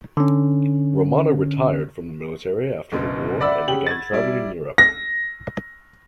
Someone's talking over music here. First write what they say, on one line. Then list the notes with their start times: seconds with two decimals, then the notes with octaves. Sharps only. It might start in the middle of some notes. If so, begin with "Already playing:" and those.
Romana retired from the military after the war and began travelling Europe.
0.17 D3 C#4
2.92 F#1 D2 B2
3.41 D5 E5 F#5 B5 E6
3.68 C#3 G4 F#7
3.87 G#6 A6
4.13 G3 E4 D5
4.78 A#6